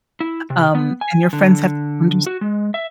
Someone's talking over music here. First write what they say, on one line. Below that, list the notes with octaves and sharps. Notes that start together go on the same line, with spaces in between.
um, and your friends have to unders
E4
C3
B3
G#5
D3
F#4
G#3
E5